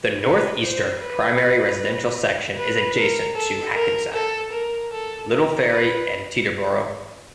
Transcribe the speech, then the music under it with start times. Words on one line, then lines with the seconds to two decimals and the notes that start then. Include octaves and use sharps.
The northeastern, primary residential section is adjacent to Hackensack, Little Ferry and Teterboro.
0.23 B4
0.62 C5
1.01 B4
2.57 B4
2.97 A#4
3.35 A4
3.74 A#4
4.13 A4
4.52 A#4
4.92 A4
5.31 A#4
5.69 B4